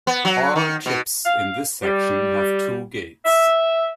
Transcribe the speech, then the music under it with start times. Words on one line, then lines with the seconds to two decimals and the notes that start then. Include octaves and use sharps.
All chips in this section have two gates.
0.07 B3
0.25 F#3
0.56 D#3
0.86 B2
1.25 F5
1.83 G3
3.25 E5